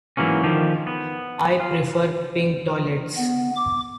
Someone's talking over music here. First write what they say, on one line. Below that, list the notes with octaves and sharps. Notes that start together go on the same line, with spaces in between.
I prefer pink toilets.
G#2 E3 F#3 A#3 C#4
D3 D#3 F3 G4
B3
F4
B3
D6